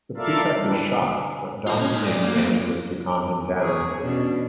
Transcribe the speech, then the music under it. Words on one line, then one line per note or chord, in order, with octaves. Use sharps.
The prefect is shocked but Dong Ping manages to calm him down.
F4 A4 A#4 D5 E5 F5
E3 G3 D4
F4 D#5
C#4
G#3 D#4
F#4 D5
A#3
E2 A#3
E2 G#4 C#5
B2 C#4 D4